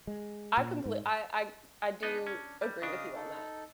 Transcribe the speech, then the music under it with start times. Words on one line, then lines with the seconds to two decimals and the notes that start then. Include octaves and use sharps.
I comple I I I do agree with you on that.
0.07 G#3
0.57 A#2
0.86 G#2
2.03 B3 D4 D#4 D#5
2.27 C#4
2.62 G3
2.82 C#3 D4 D#5 F5 D#6
3.15 D#4 A4